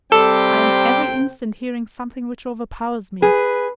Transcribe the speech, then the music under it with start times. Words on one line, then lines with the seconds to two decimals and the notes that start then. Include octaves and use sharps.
I am every instant hearing something which overpowers me.
0.12 C3 G3 C4 A4 G5 D6
3.22 G#4 B4